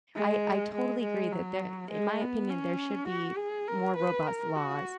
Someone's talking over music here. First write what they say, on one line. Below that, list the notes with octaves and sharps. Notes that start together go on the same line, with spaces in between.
I I totally agree that there in my opinion, there should be more robust laws
G#3
G#3
G#3
F#3
G#3
B3
C#4
F#4
G#4
A#4
B4
A#4
F#4